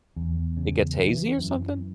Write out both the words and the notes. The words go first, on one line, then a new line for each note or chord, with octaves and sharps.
It gets hazy or something?
E2
C#3
E3
F#2